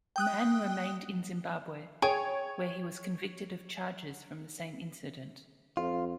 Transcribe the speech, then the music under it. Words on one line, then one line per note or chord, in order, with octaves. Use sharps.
Mann remained in Zimbabwe, where he was convicted of charges from the same incident.
G5 D#6 F#6
G#4 C#5 G5
F2 F4